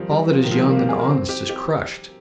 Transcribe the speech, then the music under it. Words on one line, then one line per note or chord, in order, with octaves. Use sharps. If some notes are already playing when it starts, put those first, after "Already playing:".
All that is young and honest is crushed!
Already playing: D#3 F3 G3
G3
F3
D#3
F3
G3
A#3
G4
G#4
A#4
C4
G4
G4